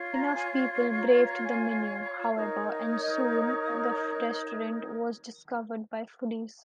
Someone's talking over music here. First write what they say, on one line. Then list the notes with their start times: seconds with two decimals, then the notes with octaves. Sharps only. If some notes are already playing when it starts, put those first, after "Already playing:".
Enough people braved the menu, however, and soon the restaurant was discovered by foodies.
Already playing: F4 C#5
0.12 A#5
0.35 G#5
1.00 A#5
1.14 C#6
1.23 A#5
1.45 G#5
2.34 D#4 A#4 C#5
3.01 D#5
3.34 D#5
3.66 F5
3.88 A#5